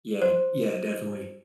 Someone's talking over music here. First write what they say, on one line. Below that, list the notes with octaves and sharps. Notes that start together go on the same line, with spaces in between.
Yeah, yeah, definitely.
C5